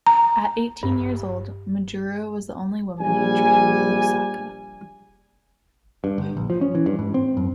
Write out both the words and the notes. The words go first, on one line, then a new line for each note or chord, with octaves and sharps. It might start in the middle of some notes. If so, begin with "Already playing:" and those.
At eighteen years old, Mujuru was the only woman who trained in Lusaka.
A#5
G2
A#1 G3 G#5
G2
G1
A#1
F3
C#4
E3
G2
G#2
C4
F#2